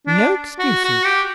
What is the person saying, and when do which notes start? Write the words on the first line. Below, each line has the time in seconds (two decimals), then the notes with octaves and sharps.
No excuses!
0.06 D4
0.59 F#4
0.84 F#4
1.04 G4